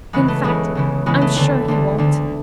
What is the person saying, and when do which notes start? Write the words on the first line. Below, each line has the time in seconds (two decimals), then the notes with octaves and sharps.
In fact, I'm sure he won't.
0.13 C#2 C#3 E3 G#3 B3
0.28 A3
0.44 C#2 C#3 E3 G#3
0.75 C#2 C#3 E3
1.06 C#2 C#3 E3 G#3 B3
1.21 A3
1.36 D2 D3 A3
1.68 D2 D3
1.98 D2 D3